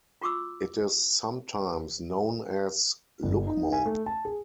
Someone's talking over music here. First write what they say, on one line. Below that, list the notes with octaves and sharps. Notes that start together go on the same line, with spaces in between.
It is sometimes known as lucmo.
F4 F#4 C#6 D6 E6
G1
D#4
G#5
A3
A5
G#4